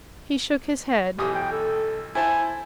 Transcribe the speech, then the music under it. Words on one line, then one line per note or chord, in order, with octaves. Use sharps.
He shook his head.
B1 E3 G4 D#6
G5
A4
E4 C5 G#5 A5